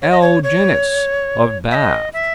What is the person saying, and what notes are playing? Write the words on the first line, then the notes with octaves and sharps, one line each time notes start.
L. Jenyns, of Bath.
C#5
D#5
C#5
C#5
E5
D#5
E5